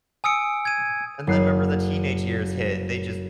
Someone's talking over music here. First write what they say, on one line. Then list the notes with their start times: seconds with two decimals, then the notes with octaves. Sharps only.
Right, and then whenever the teenage years hit, they just,
0.24 G#5 D#6 E6 C#7 D7
0.65 G#6 D#7
1.27 F#1 C7